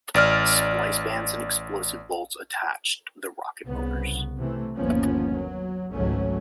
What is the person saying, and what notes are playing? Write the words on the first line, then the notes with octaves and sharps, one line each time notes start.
Splice bands and explosive bolts attached the rocket motors.
A1 D5 F6
C2 C#3 B3
C3 E3 A3
G1 D#2 F3 A#3 B3 C#4
F#3
G#1 C#2 G#2 F#3 A3 C#4